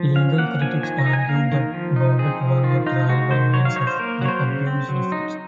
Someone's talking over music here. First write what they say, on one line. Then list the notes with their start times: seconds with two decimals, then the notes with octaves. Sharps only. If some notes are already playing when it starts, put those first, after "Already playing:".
Legal critics argued that Bobbitt won her trial by means of the abuse defense.
Already playing: F3
0.16 C#4 F5
0.38 A#3 F#5
0.61 F3 G#5
0.83 D#3 G#5
0.98 A#5
1.06 D#4
1.13 G#5
1.28 A#3 F5
1.52 D#3
1.74 F3
1.96 D#4
2.19 C4 G#4
2.41 F3
2.63 D#3 F4
2.86 D#4 F4
3.09 G#3 F#4
3.31 D#3 C5
3.54 F#3 C#5
3.65 F5
3.76 D#4 C#5
3.87 C5
3.99 A#3 A#4
4.21 F#3 C#5
4.28 C5
4.44 C#3
4.67 C4
4.89 F#3
5.12 D#4